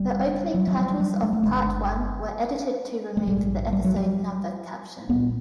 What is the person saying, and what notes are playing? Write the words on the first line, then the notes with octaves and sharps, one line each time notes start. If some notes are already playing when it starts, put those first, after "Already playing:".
The opening titles of Part One were edited to remove the episode number caption.
Already playing: F1 F2 C#3 G3
F#3
F#3
G3
F#3
G3
G#3
A3
G1 G2 D3 G#3
G#3
A#1 G#2 G3
G3
F#3
G3
C2 A#2 B3